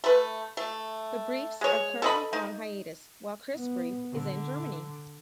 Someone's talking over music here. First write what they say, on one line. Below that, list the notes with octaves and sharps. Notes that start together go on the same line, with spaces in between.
The Briefs are currently on hiatus while Chris Brief is in Germany.
A3 B4
A3
G#3 C#5
A4 D#5 B5
D#4
B3
D3